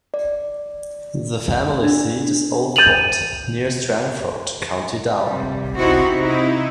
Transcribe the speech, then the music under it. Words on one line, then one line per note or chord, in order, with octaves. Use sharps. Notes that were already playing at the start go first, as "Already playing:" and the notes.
The family seat is Old Court, near Strangford, County Down.
D5
D4
G6 A6 D#7 F7 F#7
C3 G3
C3 C4 D#4 E4 F#4
C3 D#4 E4